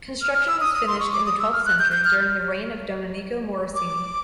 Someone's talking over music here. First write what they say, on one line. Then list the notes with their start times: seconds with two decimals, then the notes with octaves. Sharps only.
Construction was finished in the twelfth century, during the reign of Domenico Morosini.
0.22 F6
0.34 F6
0.48 E6
0.61 D#6
0.74 D#6
0.87 C6
1.00 C#6
1.13 D6
1.26 D#6
1.39 E6
1.52 F6
1.66 F#6
1.79 G6
1.92 G6
2.05 F6
3.75 D6